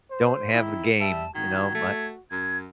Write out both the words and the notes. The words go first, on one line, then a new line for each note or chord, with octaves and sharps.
don't have the game, you know, my
C5
D#3 E4
G3 E5 A5
D#3 F#4 G#6
A3
F#2 G#6